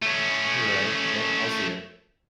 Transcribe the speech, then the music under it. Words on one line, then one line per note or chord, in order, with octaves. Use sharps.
Right, yep, I'll see ya.
A3 C#4